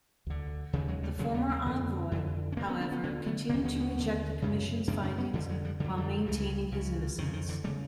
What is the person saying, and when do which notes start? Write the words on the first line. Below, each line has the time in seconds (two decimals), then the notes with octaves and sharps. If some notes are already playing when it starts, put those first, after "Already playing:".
The former envoy, however, continued to reject the Commission's findings while maintaining his innocence.
0.27 D2 D3
0.73 D#2 C#3
0.88 F#3 G#3
1.03 G3 A3
1.19 D#2 C#3 F#3 G#3
1.34 G3 A3
1.49 A#3 C4
1.65 F2 D3
2.12 F2 D3
2.52 C#4
2.57 D2 D3 A#3 C4
2.69 B3 C#4
2.80 C4 D4
2.92 B3 C#4
3.03 D2 D3 B3 C#4
3.26 A3 B3
3.49 D3 A#3 C4
3.54 D#2
3.65 B3 C#4
3.75 C4
3.80 B3 C#4
3.95 D#2 D3
4.42 F#2 C#3
4.87 F#2 C#3 C4 D4
5.03 C4 D4
5.18 B3 C#4
5.33 F2 D3 F3 G3
5.49 F#3 G#3
5.65 F3 G3
5.80 D3 G3
5.84 F2 G#3
5.97 F3 G3
6.26 C#2 C#3
6.72 C#2 C#3
7.18 F2 D#3
7.22 C#3
7.33 D#3
7.49 D3 E3
7.64 C#3 G3 A3